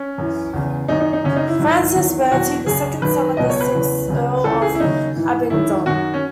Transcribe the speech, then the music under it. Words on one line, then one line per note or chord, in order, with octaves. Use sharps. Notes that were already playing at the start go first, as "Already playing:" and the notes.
Francis Bertie, the second son of the sixth Earl of Abingdon.
Already playing: C#4
F#2 E3
E2 C#3 E3
F#2 D#3 F#3 D#4
D#4
D#4
F#2 C#3 F#3 C#4
D#4
E4
G#2 D#3 F#3
E2 D#3 F#3
E2 B2 F#3 F#4
F#2 C#3 F#3 G#4
F#2 D#3 F#3 B4
C#2 B2 F#3 D#5
C#5
B4
E2 C#3 F#3
C#2 C#3 F#3
C#2 C#3 E3 A4
G#4
E4
D#2 C#3 F#3 D#4
G#2 E3
F#2 D#3 F#3 E4
F#2 D#3 F#3 F#4
C#4